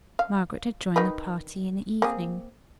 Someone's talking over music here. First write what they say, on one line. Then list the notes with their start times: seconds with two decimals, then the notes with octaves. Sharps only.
Margaret had joined the party in the evening.
0.19 F5
0.96 D#3 D#4 B4
2.02 A#3 C4 G#4